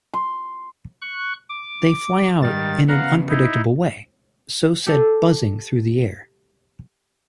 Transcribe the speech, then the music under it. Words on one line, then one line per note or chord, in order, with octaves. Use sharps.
They fly out in an unpredictable way; so-said buzzing through the air.
C6
C#6 F#6
D6
G#2 D#3 G3 A6
C#3 B3 F5 F#5 A#5
D#4 E4
G4 A4